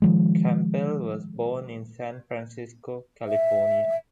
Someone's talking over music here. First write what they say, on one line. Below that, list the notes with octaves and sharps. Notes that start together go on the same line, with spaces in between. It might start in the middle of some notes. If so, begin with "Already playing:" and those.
Campbell was born in San Francisco, California.
D#3 F3 G#3
E5